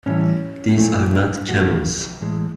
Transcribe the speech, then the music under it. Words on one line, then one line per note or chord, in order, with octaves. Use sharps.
These are not camels!
A2 E3 G3 C#4
A#2 F3 A3
A2 F3 A3 F#4
A2 E3 G#3